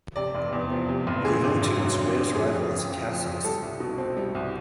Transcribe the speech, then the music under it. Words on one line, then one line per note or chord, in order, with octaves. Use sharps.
Juventude's greatest rival is Caxias.
C3 D5
F1
E2
F3
C3
F1
D3 G#4
G#1
F#2
F#3
D3
G#1
F3 G#4
F2
C#3
F2
F3
F2
G3 A4
C2
B2
C4
G3
C2